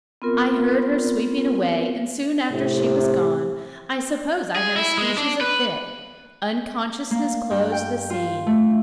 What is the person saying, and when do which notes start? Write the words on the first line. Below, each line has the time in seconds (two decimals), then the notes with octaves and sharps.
I heard her sweeping away; and soon after she was gone, I suppose I had a species of fit: unconsciousness closed the scene.
0.22 B3 C4 F4 A#4
2.52 A2 C3
4.56 G#4
4.76 E4
4.98 G#3
5.18 D4
5.41 B4
7.11 A#3
7.51 G2
7.72 G5
8.10 F4
8.47 A3